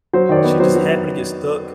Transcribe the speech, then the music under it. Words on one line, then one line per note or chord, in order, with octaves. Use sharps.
She just happened to get stuck
F#3 C5
D#3 D5
C#5
B3
F#3 C5
F#3